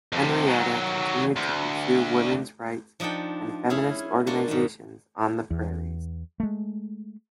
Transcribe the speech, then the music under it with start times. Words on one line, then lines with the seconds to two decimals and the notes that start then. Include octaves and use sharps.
Henrietta continued to pursue women's rights and feminist organizations on the prairies.
0.13 F2 C3
0.46 D#3 F#3
1.36 D2
3.00 F3 D4 D#4 F#5 G5
3.70 C#4 E4 G#4 F5
4.27 A#3 D4 F4 F#4
4.48 G#2 D#3
5.51 E2
6.40 G#3 A3